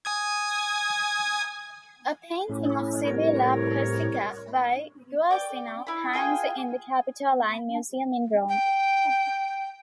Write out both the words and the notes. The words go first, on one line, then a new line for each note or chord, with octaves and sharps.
A painting of Sibilla Persica by Guercino hangs in the Capitoline Museum in Rome.
G#5 D#6 G#6
A2 C#4
C2 A#4 C#5
D5 G5 D6
E4 B5
F4 G#4 G5 G#5
G5